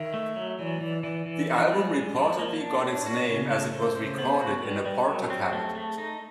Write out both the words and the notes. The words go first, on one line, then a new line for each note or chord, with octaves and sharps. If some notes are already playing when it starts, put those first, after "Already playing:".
The album reportedly got its name as it was recorded in a Portakabin.
Already playing: D#3 E5
A3
F#3
E3 D5
E3
E3 D5
E3
F3
G#3
G#3
F3
A#3
D4
D4 C#5
F#4
C#3
A3
A3 C5
C#3
B3
F#4
G3 B4
G3
F#3 A#4
C4 G4
A3 G4
A3 G#4
D#4 A4